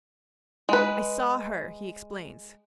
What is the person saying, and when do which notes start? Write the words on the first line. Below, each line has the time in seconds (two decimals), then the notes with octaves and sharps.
"I saw her," he explains.
0.69 G#3 B4